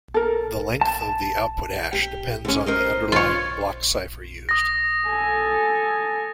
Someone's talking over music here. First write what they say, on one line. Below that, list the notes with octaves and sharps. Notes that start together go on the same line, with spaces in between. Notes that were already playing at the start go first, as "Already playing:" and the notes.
The length of the output hash depends on the underlying block cipher used.
A4 A#4
A5
G4
D3 C#4
A#4 C5 D#5
F4 C#5
D#6 A#6
A4 G#5